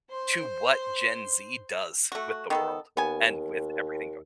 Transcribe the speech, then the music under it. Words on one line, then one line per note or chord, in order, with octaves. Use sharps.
to what Gen Z does with the world and with everything going
C5 C6
A3 F#4
D#3 B3 A4
D#2 B3 G#5